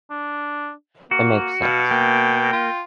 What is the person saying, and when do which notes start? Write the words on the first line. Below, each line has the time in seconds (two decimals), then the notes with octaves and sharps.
It makes sense.
0.10 D4
1.11 A#3 F#4
1.62 B2 F5
1.91 A#3 G5
2.53 F4